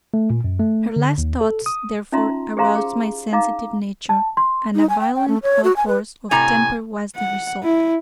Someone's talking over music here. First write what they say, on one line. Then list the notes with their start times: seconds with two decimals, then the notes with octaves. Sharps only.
Her last thoughts, therefore, aroused my sensitive nature, and a violent outburst of temper was the result.
0.14 A3
0.30 A#2
0.44 F#2
0.60 A3
0.96 D3
1.18 D#2
1.41 A4
1.66 D#6
2.12 C#4 D#4 F4 E5 A#5 C6
2.57 G4 G#4 C5 F5 A#5 C6
2.75 G#4
3.32 D#4 F5 A#5 D6
4.09 A5
4.37 C6
4.75 D#4
4.89 G#5
5.01 G5
5.16 G5
5.28 A3
5.43 C#5
5.64 F#4
5.77 G#5
5.88 B4
6.31 A2 C3 G#5 A#5
7.16 F#5
7.63 E4